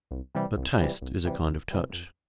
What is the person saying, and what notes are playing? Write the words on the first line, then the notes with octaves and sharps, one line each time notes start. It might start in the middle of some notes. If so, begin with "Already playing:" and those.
But taste is a kind of touch.
C2
C3 E3 G3
C2
C3 E3 G3
C2
C3 E3 G3
C2
C3 E3 G3
F2